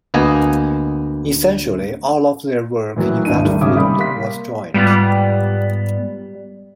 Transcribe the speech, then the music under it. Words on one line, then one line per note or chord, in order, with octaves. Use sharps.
Essentially all of their work in that field was joint.
D2 A#3 B3 D#5 G#5
A2 E3 F#3 A#3
G#1 D#2 D4 D#4 D#7
D#3 G3 A3 A#3
G#1 C#3 C#4 E5 D6 D#6
C3 G3 B5 D#6
A#3 F5 C6 B6
G#2 G3 B3 F4